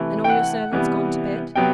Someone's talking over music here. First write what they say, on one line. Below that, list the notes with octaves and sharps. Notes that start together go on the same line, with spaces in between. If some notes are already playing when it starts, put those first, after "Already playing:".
"And all your servants gone to bed?"
Already playing: C3 E3 A3
G5
F#5
C3 E3 G3 B3
C3 F#3 B3 G5